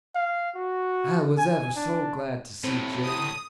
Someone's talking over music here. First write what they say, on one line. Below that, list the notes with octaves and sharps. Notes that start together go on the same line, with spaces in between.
I was ever so glad to see Jim.
F5
F#4
G#5
D4
C2 A2 C4
D#6